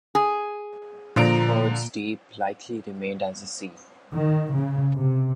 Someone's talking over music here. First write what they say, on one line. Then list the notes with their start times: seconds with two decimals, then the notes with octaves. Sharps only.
Hurd's Deep likely remained as a sea.
0.15 G#4
1.16 A#2 D3 F3 A#5 D7
4.13 D#3
4.54 C#3
4.96 C3